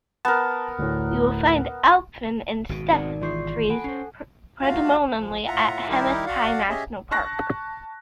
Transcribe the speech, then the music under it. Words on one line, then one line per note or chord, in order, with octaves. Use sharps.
You will find alpine and steppe trees predominantly at Hemis High National Park.
B3 A#4 A5
D2 A2
G#1 B2 F#4
C4 D#4 G#4 A#4 D5 F#5
E3 F4 G#4 D5 C6 C#6 G6 C7
A4 F#5 G#5 B5 D7
C#4 C5 C7
A3 F4 F#4 F5
F3
A2 F4 E5 F#5 A#5
D#3 G3 D#4 E4 G4 A#4
F#4 D5 F5 F#5
C#4 G4 G#4 C#5 D#5 E5
A5 C#6 F#6 A#6